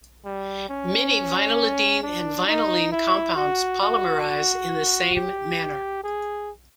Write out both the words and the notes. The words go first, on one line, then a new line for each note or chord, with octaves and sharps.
Many vinylidene and vinylene compounds polymerize in the same manner.
G3
C#4
D4
D#4
E4
F#4
F#4
G4
G#4